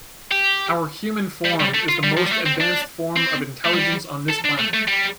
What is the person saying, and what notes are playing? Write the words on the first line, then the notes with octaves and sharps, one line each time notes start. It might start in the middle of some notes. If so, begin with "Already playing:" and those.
Our human form is the most advanced form of intelligence on this planet.
G4
G3
G3
A3
F4
G3
F3
G3
A3
C4
D4
C4
A3
G3
A4
D4
A3
A3
G3